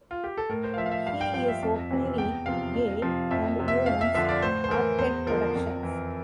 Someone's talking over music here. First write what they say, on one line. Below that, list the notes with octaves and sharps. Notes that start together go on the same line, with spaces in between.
He is openly gay and owns Arcade Productions.
F4
G4
A4
A2 A#4
C5
F5
F3 E5
F5
E5
G2 F5
G5
F3 G5
E5
F2
C3 E3
E2 G5
C3 F3 F5
F2
C3 F3
F2 E5
C3 F3
E5
F2 F5
E5
D3 F3 E5
D5
A2 C5
C5
E3 A#4
E2 C5
D3 F3 A#4
F2
E3